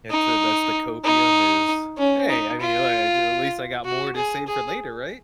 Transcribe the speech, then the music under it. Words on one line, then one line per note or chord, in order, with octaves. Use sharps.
It's a That's the copium is, "Hey, I mean, look, I jus at least I got more to save for later, right?"
D#4
D#4
C#4
D#4
F4
F#4
G#4
G#4